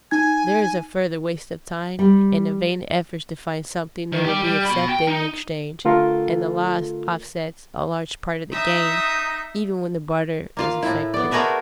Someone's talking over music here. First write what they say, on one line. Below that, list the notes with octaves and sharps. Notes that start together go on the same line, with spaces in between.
There is a further waste of time and of vain efforts to find something that will be accepted in exchange, and the loss offsets a large part of the gain even when the barter is effected.
D#4 G#5 G#6
G3
D#3
G4 D5
G3
F#4 B5
G5
D#4
D3 A3 F4 A4 A#4
D#4 E5 D#6
A#3 F4 F5
A2 E4
B3 D5
A3 F#4 G#4 A#4 B4 E5